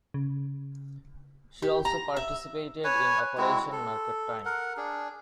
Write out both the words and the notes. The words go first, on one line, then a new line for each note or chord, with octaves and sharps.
She also participated in Operation Market Time.
C#3
G4
A#5
E5
B4 C#5 G#5
G#3 C4 E4 F#4
A4
A#4 F#5
D4 G#4